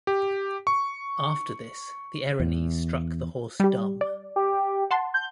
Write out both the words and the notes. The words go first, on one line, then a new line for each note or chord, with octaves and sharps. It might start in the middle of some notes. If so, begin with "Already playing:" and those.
After this, the Erinyes struck the horse dumb.
G4
C#6
E2
G3 G4
D5
G4
F#5 A5 C6
G6